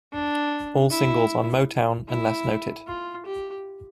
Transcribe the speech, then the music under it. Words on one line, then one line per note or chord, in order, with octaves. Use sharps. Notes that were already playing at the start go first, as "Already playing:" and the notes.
All singles on Motown, unless noted.
D4
E4
E4
F4
G4